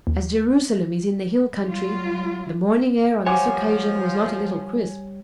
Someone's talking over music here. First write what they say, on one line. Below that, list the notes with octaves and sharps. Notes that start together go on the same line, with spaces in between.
As Jerusalem is in the hill country, the morning air on this occasion was not a little crisp.
D#2
F#3 G3 F4
F3 G3 C5 C#5 F#5 G#5 D6